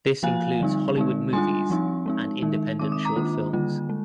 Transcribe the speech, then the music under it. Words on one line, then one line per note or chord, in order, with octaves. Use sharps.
This includes Hollywood movies and independent short films.
F3 A#3 F4 F5 G#5
D3 G3 C4 D#4
D3 G#3 C4 D#4
G3 D4 F4 G#5 C6
F3 C4 D#4
G#3 C4 D#4
D#3 G#3 D#4
D#3 G#3 C4 D#4 D6
D#6
A#5 D6
D#3 A#3 D4 F4
D3 G3 A#3 F4
G#3